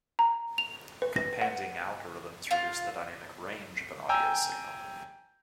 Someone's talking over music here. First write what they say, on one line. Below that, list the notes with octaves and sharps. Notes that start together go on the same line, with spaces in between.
Companding algorithms reduce the dynamic range of an audio signal.
A#5
F7
B4
A#6
F#5
F4
G5 G#5 A#5 E6 G6